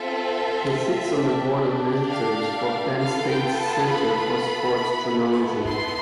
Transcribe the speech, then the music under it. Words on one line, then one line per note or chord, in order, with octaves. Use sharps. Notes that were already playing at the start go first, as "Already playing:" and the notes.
He sits on the Board of Visitors for Penn State's Center for Sports Journalism.
Already playing: C4 F4 A4 E5
D4 G4
F5
B3 F4 A4 F5
G5
A5
B5
B3 E4 A4
C6